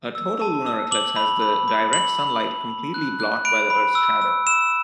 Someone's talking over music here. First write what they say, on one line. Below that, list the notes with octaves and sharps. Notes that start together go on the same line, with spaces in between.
A total lunar eclipse has the direct sunlight completely blocked by the earth's shadow.
E6
A5
E6
D6 F#7
B5
B5
B5
B5 F#7
B5
B5
B5
F#6
F#6
B5 D7
B5
E6
E6
E6 E7